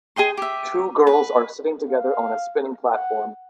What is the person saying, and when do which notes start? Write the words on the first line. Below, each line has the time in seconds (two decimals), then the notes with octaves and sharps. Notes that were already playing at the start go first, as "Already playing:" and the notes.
Two girls are sitting together on a spinning platform.
0.16 G#4 D#5 G5 C6
0.37 G4 E5
1.07 B4
1.90 F5
2.89 F#5